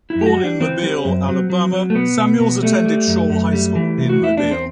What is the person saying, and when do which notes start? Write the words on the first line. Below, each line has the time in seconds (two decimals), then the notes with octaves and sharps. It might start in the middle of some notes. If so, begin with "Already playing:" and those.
Born in Mobile, Alabama, Samuels attended Shaw High School in Mobile.
0.10 E4
0.15 F#2
0.21 G4
0.26 F#4
0.38 G3
0.44 D4
0.60 E3 C4
0.83 G3
1.05 F#2
1.28 F#3
1.50 F#3
1.73 F#3
1.90 A3
1.95 B2 B3
2.17 B2
2.40 B2
2.63 G3 A3
2.85 G3
3.07 F#2
3.30 F#2
3.53 G3
3.75 E3
3.98 C3
4.09 F#4
4.20 E2 E4
4.37 D4
4.42 E2
4.51 C4